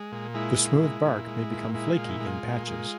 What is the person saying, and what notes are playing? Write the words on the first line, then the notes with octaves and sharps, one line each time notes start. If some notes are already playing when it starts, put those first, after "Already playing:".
The smooth bark may become flaky in patches.
Already playing: G#3
A#2
G#3 E4
A#2
G#3
A#2
G#3
A#2
G#3 E4
F4
A#2
E4
G#3
F4
A#2
G#3